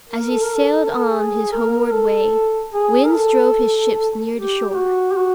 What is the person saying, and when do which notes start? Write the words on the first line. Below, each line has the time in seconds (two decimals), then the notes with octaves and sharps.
As he sailed on his homeward way, winds drove his ships near the shore.
0.10 A#4
0.30 A4
0.43 A#4
0.55 A4
0.89 A#4
1.00 A4
1.11 G#4
1.52 A#4
1.92 A4
2.73 G#4
3.06 A#4
3.14 A4
4.36 G4
4.69 G4
4.76 F#4
5.12 G4
5.17 F#4